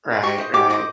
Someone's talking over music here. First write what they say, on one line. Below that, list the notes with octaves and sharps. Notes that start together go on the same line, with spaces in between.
Right, right.
G4 C#6
C5 D#5
G4 D6
C5 D#5 D6